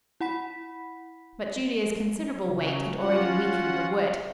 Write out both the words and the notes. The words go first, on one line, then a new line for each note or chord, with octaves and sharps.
But Julia's considerable weight had already weakened the wood.
E4 F#5 B5 B6
C#3 F#3
C#4 F4 F#4 F#5